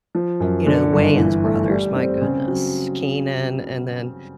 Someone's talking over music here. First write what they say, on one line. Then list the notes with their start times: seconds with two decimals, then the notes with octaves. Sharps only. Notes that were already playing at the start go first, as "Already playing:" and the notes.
you know, the Wayans brothers, my goodness. Keenan and then,
0.15 F3
0.40 F#2
0.67 D3
0.92 G1
1.18 E3
1.44 A3
1.69 G3
1.96 C4
2.22 C#3
2.48 F#3